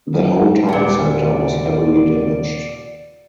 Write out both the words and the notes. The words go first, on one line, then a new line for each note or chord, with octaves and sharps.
The whole town centre was heavily damaged.
F#2
D#2 A#2 B3 D5